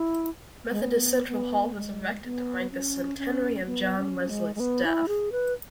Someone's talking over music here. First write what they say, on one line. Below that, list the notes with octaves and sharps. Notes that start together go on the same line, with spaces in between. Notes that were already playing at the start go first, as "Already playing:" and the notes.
Methodist Central Hall was erected to mark the centenary of John Wesley's death.
Already playing: E4
G#3
B3
B3
G#3
B3
C#4
C#4
B3
C#4
G#3
G#3
B3
E4
G#4
B4